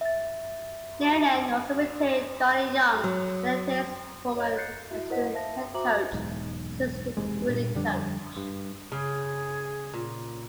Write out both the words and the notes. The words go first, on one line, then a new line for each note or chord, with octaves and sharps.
Nehlen also retained Donnie Young, Cignetti's former assistant head coach, as his recruiting coach.
E5 A6
F#3
C#5 D#5 F5 G#6
F#6 G6 A6 C7 C#7
E4 F#4 E5
E4 A#4 C5 D#5 F#5 B6
C5 E5 F5 A5 A#6
F#4 C5 E5 A#5 D6 F#7
E1 B1 G#2
E1 D#2 C3 G#3
G2 A#2
F2 D3 G3 D4
G2
C#3 G#4
A#2